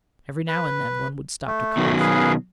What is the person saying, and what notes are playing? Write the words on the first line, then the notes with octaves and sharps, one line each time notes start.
Every now and then one would stop to cough.
B4
A3
B2 D#3 F#3
G#4 B4 F5